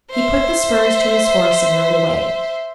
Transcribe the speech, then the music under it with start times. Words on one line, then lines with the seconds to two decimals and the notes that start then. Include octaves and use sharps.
He put the spurs to his horse and rode away.
0.10 C5 E5